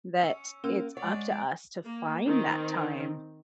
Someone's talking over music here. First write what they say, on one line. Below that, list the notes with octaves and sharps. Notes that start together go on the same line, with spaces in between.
that it's up to us to find that time
C#4 E6 C#7
A#3 C#4 E6
G#3 C#5 D5 F#5
A#3
D#3 C4